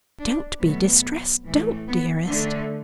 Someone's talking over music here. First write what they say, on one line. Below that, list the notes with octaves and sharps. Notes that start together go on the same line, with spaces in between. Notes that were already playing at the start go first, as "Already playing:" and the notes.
"Don't be distressed; don't, dearest!"
D4
B2 F#3 A3 B3
A2 E3 A3
B3
D3 A3 D4